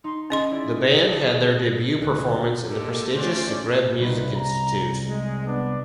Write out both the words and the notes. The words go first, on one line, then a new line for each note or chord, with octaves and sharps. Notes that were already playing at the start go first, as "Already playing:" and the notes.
The band had their debut performance in the prestigious Zagreb Music Institute.
D#4 C6
C#4 G#4 D#5 C6
E4 D5
D5 A5 C7
G1 D2 F#6
G#3 A#3 G4 A4
A3 C#4 F#4 C5 D5
C2 D#4 F#4 B4
A#5
G#3
B3 D4